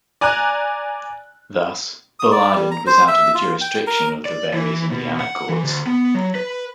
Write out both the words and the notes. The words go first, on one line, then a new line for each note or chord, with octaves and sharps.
Thus, Bull Island was out of the jurisdiction of the various Indiana courts.
D5 G#5 A#5 F#6
D#6
D5
G3
A#5
C5
E5
F4
G5
A#4
D5
E3
B2
F#5
E3
D2
B3
F#3
B4